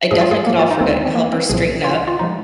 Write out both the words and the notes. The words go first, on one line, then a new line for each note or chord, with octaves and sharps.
I definitely could offer to help her straighten up.
G#2 F3 G#3 G#4
F4
G#4
A#3
F4
D#4
D#2 D#3 G#3 C4
C4
A#3
C4
C2 A#2 F3 G#4
F4
F4
F3 G#3 D#4